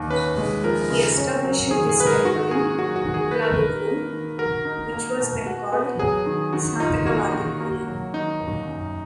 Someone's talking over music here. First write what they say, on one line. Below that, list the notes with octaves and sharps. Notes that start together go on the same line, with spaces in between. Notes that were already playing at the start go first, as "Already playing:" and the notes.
He established this temple in Mulabagilu, which was then called Shathaka Vatipuri.
Already playing: D#2
C#4 B4
G#3
F3 A#4
C#3
C#4
F#3
D#3 G#4
G#4
G#2 B4
A#4
D#3 F#4
A#3 G#4
F#3 F#4
F#4
D#3
G#4
G#4 B4
A#4
D#4 B4
A#3
D#3
F#4 A#4
D#4
A#3
B2
F#4
B3
F#3 G#4
D#3
D#3 F#4
D#4 F4
A#3 F#4
D#3
A#3
F#3
D#3 D#4
D#2
F#2